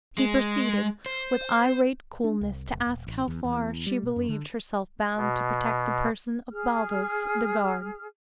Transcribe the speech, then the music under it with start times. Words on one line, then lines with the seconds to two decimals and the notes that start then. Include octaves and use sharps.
He proceeded, with irate coolness, to ask how far she believed herself bound to protect the person of Baldos, the guard.
0.18 G#3
1.06 C5
2.24 D4
2.41 C2
2.73 F1
2.87 D#1
3.07 A1
3.28 E2
3.44 E2
3.86 G3
4.03 B2
4.16 F#2
4.29 D3
5.16 B2
6.51 G#4 F6